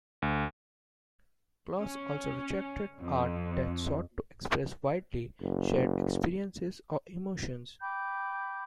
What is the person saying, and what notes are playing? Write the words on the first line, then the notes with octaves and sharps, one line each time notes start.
Kloos also rejected art that sought to express widely shared experiences or emotions.
D2
C#4
F2
F#1
G5 B5 D6 G6